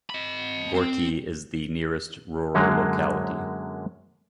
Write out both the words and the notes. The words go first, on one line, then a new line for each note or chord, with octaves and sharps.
Gorki is the nearest rural locality.
D#5 B5
C4
F#2 D3 F#3 G#3 A#3